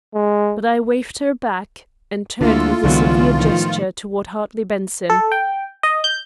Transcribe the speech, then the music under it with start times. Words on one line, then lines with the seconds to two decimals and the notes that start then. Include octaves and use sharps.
But I waved her back, and turned with a severe gesture toward Hartley Benson.
0.14 G#3
2.41 D2 D3 A#3 E4 F4 A4
2.83 C2 D3 E3 F#3 G#3 B3
3.34 A2 D#3 F3
5.10 A4
5.32 G5
5.83 D#5
6.04 G6